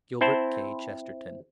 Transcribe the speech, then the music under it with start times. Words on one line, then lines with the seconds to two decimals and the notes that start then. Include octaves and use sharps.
Gilbert K. Chesterton.
0.21 C4 E4 C5 A5